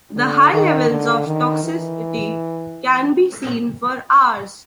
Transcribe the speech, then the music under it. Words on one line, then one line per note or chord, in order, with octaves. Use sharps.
The high levels of toxicity can be seen for hours.
D3
D#3
D3
D#3
E3